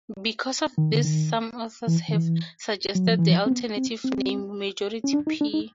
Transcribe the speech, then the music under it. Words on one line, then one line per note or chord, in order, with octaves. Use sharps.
Because of this some authors have suggested the alternative name "Majority-P".
D#3
D3
D#3
E3
D#3
E3
F#3
F3
E3
F3
C4
B3
C4
C4
C#4
D4
D#4
D4
D#4